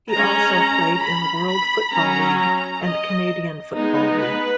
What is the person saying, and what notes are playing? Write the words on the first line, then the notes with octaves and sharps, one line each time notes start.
He also played in the World Football League and Canadian Football League.
G#3 C#4 A#5
B5
B5
F#3 C#4 A#5
A#5
D#5
G#3 B3 D#4
B4